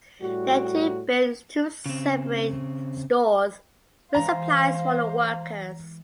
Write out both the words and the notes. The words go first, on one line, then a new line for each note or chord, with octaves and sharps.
They, too, built two separate stores with supplies for the workers.
A2 G3 F#4
C#3 C4
E3 G#3 C5 F5 A#5